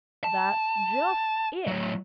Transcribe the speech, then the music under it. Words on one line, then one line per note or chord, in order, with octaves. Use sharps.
'That's just it.
A5
A2 F#3